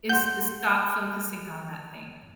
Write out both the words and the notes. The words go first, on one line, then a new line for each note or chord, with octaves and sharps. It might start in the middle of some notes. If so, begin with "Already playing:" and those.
is to stop focusing on that thing.
F#5 C6 G6